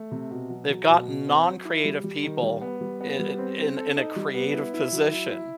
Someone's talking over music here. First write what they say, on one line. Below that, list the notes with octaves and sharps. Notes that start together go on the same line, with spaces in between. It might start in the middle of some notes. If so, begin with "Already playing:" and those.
They've got non-creative people i i in in a creative position.
Already playing: A3
C3
B2
F#3
F#3
B2
B2
C4
F#3
E4
G3
G3
D#3
G3
B3
G3
B3
G3
C4
C4
A4
D#4
G3
B3
E4
E4
F#3
E4
E4